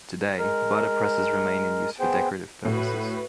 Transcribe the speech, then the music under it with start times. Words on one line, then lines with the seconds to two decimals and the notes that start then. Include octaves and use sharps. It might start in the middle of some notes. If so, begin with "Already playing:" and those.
Today, butter presses remain in use for decorative purposes.
0.39 G#3 A#4
2.00 B3 G#4 C5 G5
2.65 A2 F#4 B4